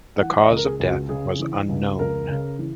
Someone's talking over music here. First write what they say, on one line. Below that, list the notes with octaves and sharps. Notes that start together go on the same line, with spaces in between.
The cause of death was unknown.
E3 F#5
D#5
C#2
A#4
G#4
C#2
F#4
C#3 G#4
E3
C#2
C#2 A#4
C#3
E3